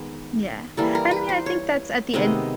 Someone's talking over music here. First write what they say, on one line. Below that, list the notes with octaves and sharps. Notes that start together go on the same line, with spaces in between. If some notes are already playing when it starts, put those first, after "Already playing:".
Yeah. And I mean, I think that's at the end
Already playing: D#3 G#3 B3
E3 G3 A#3 A4
A#4
B4
C5
C#5
C3 D#3 G#3 B3 D#5